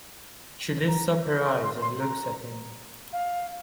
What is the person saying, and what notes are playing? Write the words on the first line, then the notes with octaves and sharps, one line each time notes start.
She lifts up her eyes and looks at him.
A#5
C6
C6
C6
A#5
F5